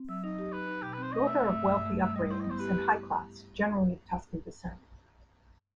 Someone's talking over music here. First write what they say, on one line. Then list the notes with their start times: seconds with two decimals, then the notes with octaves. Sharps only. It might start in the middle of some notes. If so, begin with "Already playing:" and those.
Both are of wealthy upbringings and high class, generally of Tuscan descent.
Already playing: C4
0.09 F#3 E5
0.23 D#4 D#5
0.39 G4
0.53 D#4 B4
0.68 D#4
0.82 B2 G4
0.93 B4
0.98 C4 C5
1.12 A3 D#5
1.27 C4 E5
1.42 A3
1.56 G2
1.71 G2
1.85 A3
2.00 G3 E5
2.15 G3 D#5
2.31 E4 C5
2.40 D#5
2.44 B3
2.50 C5
2.59 G4 B4
2.75 G4